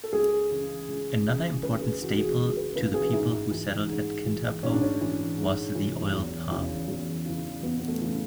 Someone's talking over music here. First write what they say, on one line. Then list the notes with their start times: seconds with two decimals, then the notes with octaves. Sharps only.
Another important staple to the people who settled at Kintampo was the oil palm.
0.04 A4
0.13 C#2 G#4
0.51 C#3 E3
0.88 C#2
1.26 C#3 E3
1.63 C#2 B4
1.82 G#4
2.00 C#3 E3 F#4
2.19 G#4
2.38 C#2
2.57 B4
2.75 C#3 E3 B4
2.94 G#4
3.13 G#2 E4
3.51 E3
3.87 G#2
4.25 E3
4.63 G#2 C#4
4.72 D4
4.82 C#4
5.01 E3
5.38 G#2
5.75 E3
6.13 E2
6.51 C#3 E3
6.88 E2
7.26 C#3 E3
7.62 E2 B3
7.80 B3
7.88 A3
8.01 C#3 E3